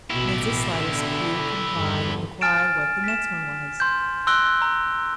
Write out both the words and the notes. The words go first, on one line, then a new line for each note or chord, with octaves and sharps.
Mrs Sliderskew complied, and inquired what the next one was.
A1 B2 E4 G4
B2 D3
E2 G2 D3
G#5 F6 A6 D7 E7
B6 E7
C6 G6
C6 E6 F#6 A#6 D7 G7
A#5